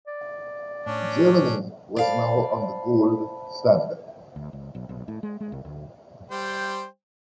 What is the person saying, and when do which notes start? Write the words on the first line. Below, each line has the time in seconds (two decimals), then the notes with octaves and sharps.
Germany was now on the gold standard.
0.07 D5
0.86 A2 C#4 D4
1.96 C5 D5 F5 A5 B5
4.36 D2
4.53 C#2
4.75 B1
4.89 B1
5.08 A2
5.23 G#3
5.40 G#3
5.52 C2
5.65 D2
6.31 G3 C5 G5